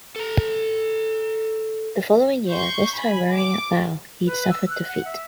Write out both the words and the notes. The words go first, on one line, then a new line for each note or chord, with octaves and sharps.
The following year, this time rowing at bow, he suffered defeat.
A4 A#5
C6 C#6 G6
G#5 B5
D6
B4
E6
F#6
F#5
E5